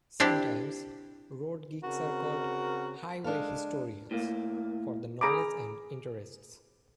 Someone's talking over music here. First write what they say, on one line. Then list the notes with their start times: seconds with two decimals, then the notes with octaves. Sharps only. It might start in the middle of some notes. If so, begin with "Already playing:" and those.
Sometimes, road geeks are called "highway historians" for the knowledge and interests.
0.20 C4 D4 E4 G4
1.83 C#3 C4 F#4 A#4
3.24 G#3 D4 A4 F5
4.11 A2 A#3
5.21 G#4 A#5 B5 D6